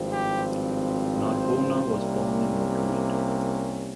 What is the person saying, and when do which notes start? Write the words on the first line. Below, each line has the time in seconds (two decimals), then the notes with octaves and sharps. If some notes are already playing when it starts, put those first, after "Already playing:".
Narbona was born in Madrid.
Already playing: G#1 G2 F3 C4
0.12 G4
1.27 C5
1.83 C2 C3 G3 A#3 C#4